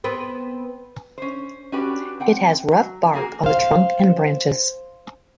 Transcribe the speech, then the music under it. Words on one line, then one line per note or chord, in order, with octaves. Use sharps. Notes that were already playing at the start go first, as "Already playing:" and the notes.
It has rough bark on the trunk and branches.
B3 C4 B4
C#4 C5
C#4 D4 F#4 G4 B4 D5
C4 F#5 G5
F#3
F3 A#3 F#4 G#4 A#4
C5 F5